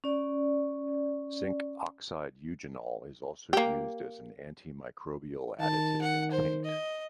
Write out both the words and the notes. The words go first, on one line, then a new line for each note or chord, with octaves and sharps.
Zinc oxide eugenol is also used as an antimicrobial additive in paint.
C#4 D5
A#3 G4
D#3 A5
F#5
C5
D#5